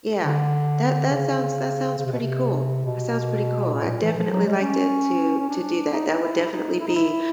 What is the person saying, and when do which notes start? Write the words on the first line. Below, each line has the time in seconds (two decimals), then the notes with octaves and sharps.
Yeah. That that sounds that sounds pretty cool. That sounds pretty cool, I'd definitely like to to to do that. That would definitely be
0.23 D3
1.10 C#3
1.98 C#3
2.06 C3
2.12 B2
2.20 C3
2.85 B2
3.74 A#2
3.82 A2
3.88 A#2
4.03 E3
4.17 F3
4.31 F#3
4.47 G#3
4.61 C#4
5.40 C#4
5.49 D4
5.93 D#4
6.08 D#4
6.22 E4
6.37 D#4
6.45 E4
6.52 D#4
6.80 E4
6.87 D#4
6.95 E4